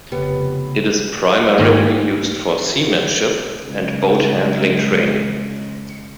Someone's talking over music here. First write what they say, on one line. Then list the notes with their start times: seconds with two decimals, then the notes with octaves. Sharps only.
It is primarily used for seamanship and boat handling training.
0.12 F1 C#3 B3 G4
1.58 G#2 D#3 G3 A#3
3.64 C#3 G#3